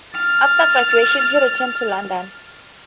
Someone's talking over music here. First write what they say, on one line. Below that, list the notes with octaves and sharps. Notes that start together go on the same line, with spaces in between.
After graduation he returned to London.
F6 A6